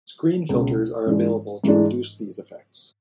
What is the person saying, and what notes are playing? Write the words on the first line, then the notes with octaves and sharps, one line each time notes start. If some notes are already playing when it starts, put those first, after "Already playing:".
Screen filters are available to reduce these effects.
C#2 B2 G#3
G#2 E3 G#3 D4
G#2 E3 G#3 D4